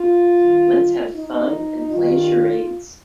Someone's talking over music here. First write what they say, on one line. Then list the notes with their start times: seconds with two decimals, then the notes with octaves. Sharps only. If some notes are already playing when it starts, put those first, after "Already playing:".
Let's have fun and play charades.
Already playing: F4
0.37 G2 D#3
1.14 D#4
1.90 G2 D#3 F4